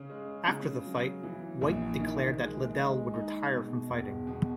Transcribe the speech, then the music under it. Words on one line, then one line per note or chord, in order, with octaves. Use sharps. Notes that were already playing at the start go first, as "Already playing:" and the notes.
After the fight, White declared that Liddell would retire from fighting.
Already playing: C#3 C#4
G#3
C#3
F#3
E3
A#1
D#3
G#3
G#3
D#4
B2
E1
B2